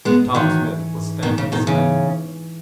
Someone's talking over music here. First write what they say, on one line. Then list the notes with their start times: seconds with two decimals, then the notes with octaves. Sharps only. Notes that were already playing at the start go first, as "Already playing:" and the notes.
Tom Smith was standing beside him.
0.05 G#2 G#3 B3
0.21 G#2
0.35 D#3 E3 F#3
0.50 C#4
0.64 E3
0.79 C#4
0.94 G#2
1.08 C#4
1.23 G#2 B2 D#3
1.38 G#2 C#3
1.52 G#2 B2 D#3
1.66 C#3 E3
1.82 C#4